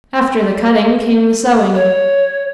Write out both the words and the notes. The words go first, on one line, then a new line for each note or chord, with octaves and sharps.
After the cutting came the sewing.
C#5